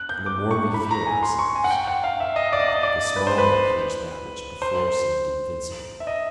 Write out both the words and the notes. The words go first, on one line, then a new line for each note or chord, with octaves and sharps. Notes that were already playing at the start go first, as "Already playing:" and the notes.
And the more we feel ourselves, the smaller appears that which before seemed invincible.
Already playing: F#6
G6
D6
C#6
B5
A#5
G#5
C6
C#6
G#5
F#5
G5
F#5
F5
E5
D#5
D5
D#5
D5
D#5
D5
B4
C5
B4
C5
E5
D#5